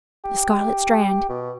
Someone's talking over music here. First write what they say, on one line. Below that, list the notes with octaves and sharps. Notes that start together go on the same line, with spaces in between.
'The scarlet strand!
G4
B2